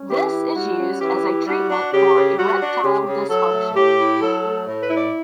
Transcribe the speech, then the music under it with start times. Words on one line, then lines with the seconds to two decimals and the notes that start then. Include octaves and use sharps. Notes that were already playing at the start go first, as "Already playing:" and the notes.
This is used as a treatment for erectile dysfunction.
Already playing: C#4
0.10 E3 G4
0.32 E4
0.55 G3 F#4
0.79 C#4
1.01 E3 G4
1.24 E4
1.46 G3 F#4
1.70 D4
1.93 C#3 G4
2.15 C#3
2.38 G3 F#4
2.62 D4
2.84 C#3 G4
3.07 C#3
3.30 F#3 A4
3.53 A3
3.76 A2 G4
3.98 E4
4.21 F#3 A4
4.44 A3
4.67 A2
4.82 B4
4.89 E4
4.97 D5